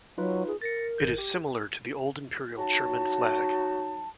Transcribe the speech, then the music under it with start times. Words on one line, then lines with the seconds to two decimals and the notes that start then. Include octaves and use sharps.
It is similar to the old Imperial German flag.
0.18 F#3 D#4 F4 B4
0.47 G#4
0.62 A#4 A6 A#6 C#7
0.98 G#1 G6
1.18 G4
2.57 F#3 D#4 F#4 A5